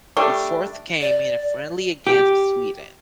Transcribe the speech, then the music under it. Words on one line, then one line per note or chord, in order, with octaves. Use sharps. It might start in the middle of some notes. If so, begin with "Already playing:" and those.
His fourth came in a friendly against Sweden.
G3 A3 D4
D5
G4